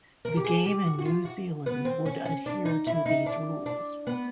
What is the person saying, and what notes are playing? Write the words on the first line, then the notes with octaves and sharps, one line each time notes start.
The game in New Zealand would adhere to these rules.
A#4
G4
G#4
G4
F#4
F#4
F4
F#4
B3
C4
C#4
C#4
D4
D#4
E4
D#4
D4
D4
B3